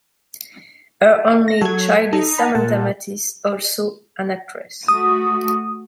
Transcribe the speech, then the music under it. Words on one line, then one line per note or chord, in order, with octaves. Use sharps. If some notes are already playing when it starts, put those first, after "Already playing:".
Her only child is Samantha Mathis, also an actress.
A#6
F#3 A4 G#6
D#4 A4
F#5 A5 B5
A#2 A#4 F#5 A5
A3 F#4 D#6